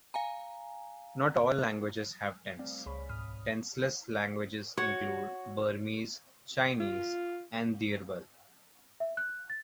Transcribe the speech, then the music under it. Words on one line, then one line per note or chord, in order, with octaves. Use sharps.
Not all languages have tense: tenseless languages include Burmese, Chinese and Dyirbal.
F5 G#5 A#5
G3 A3 C4 D5 F5
C#2 G#4 C#5 B5
B1 G#2 B5 D#6 F6
F#4 C#5
F4
E5
F#6
A6